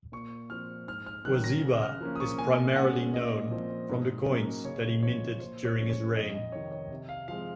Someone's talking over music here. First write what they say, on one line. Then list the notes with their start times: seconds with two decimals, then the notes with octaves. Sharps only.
Wazeba is primarily known from the coins that he minted during his reign.
0.12 A#2 C#6
0.50 F3 C4 F6
0.88 G#2 F6
1.06 F6
1.25 D#3 F#3 C#4 F#6
1.44 A#6
1.64 C#3
1.82 F6
2.01 F3 A#3 C#4
2.16 D#6
2.20 C#6
2.38 A#2 G#5
2.76 G#3 C#4 F#5
3.14 A#2 D#5
3.51 F3 C4
3.89 G#2
4.27 F#3 A#3 C#4
4.64 C#3 C#5
5.02 F3 C4 C#5
5.40 A#2 C5
5.65 C#5
5.78 F3 G#3 C#4
5.90 C#5
6.16 F2 D#5
6.35 D#5
6.52 C3 D#3 C#5
6.71 C#5
6.91 C3
7.09 F5
7.28 F3 G#3 C4 F5